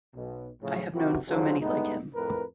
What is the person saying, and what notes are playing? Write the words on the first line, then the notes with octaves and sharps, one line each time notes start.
I have known so many like him.
B1 B2
A2 C#3 F3
C3 F#3 E4 F#4 G4 A#4
F2 D3 F#3 F4 G#4 C5
G2 G#3 A3 B3 D#4
F2 A2 A#4 B4